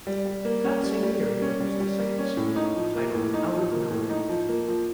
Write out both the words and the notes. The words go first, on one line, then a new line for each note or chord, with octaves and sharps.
That same year he released a second single titled "Out Of Nowhere".
G3
G3
A#3
C#4
G3
G3
A#3
C#4
G3
G3
A#3
C#4
A2
D#4
F3
A#3
A2
D#4
F3
A#3
A2
D#4
F3
A#3
F3